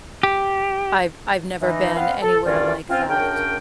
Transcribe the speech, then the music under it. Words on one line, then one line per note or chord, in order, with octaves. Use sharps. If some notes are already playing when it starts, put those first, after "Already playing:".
I've I've never been anywhere like that.
G4
E3 D#4
B3 C4 B4 F5
A4
D2 G2 D#3 C#4 F4 D5
C4 C#4 F4
F#2 C#3 D4 A#4 G5